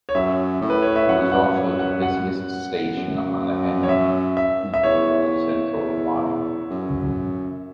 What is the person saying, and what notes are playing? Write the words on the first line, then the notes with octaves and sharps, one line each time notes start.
It is also the busiest station on the Hainault loop of the Central line.
C#5
F#2 E5
A2
B4
C#5
E5
F#2 F#5
F#5
C#5
F#5
F#5
F#2
C#5
E5
E5
E5
E2 C#5
E2
F#2